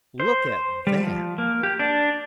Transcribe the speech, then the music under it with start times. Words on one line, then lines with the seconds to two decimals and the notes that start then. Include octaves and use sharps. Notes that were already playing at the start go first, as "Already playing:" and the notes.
"Look at that!"
0.20 C5
0.47 C5
0.87 G3
1.03 F3
1.38 A#3
1.63 G4
1.79 D4